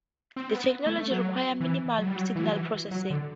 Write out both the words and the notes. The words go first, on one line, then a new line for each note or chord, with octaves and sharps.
The technology requires minimal signal processing.
C4
B3
A3
A3
F#3
E3
F#3
G3
F#3
E3
F#3
E3
F#3
D3